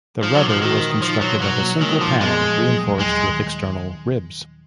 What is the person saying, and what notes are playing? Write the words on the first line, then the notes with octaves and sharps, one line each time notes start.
The rudder was constructed of a single panel reinforced with external ribs.
F3 D#4
F#3
A#2
F3
D#3 F#4
G#3
F3 D#4
B2 F#3
B2 F#3
A#3
D#3 G#3
A#2 F3
G#3 B3
F3
F#3
D#2
D#2 G#3
D#3